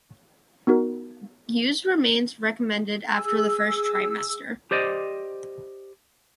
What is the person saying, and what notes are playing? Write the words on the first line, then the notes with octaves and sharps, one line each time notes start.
Use remains recommended after the first trimester.
B3 D#4 F#4 A#4
G#4 E6
G4 C5 D5 D#5